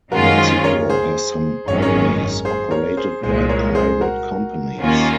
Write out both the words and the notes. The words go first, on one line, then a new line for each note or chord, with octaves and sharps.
Mexico has some highways operated by private companies.
F#2 D#3 G#3 C#4 F4 F#4 A#4
G#4 C5
A#4 C#5
G#4 C5
G#1 F#2 D#3 G#3 C#4 C#5
A#4 C#5
G#4 C5
A#4 C#5
G#4 C5
C2 A#2 G#3 G#4 C5
A#4 C#5
G#4 C5
F#4 A#4
D#2 D#3 A#3 C#4 F4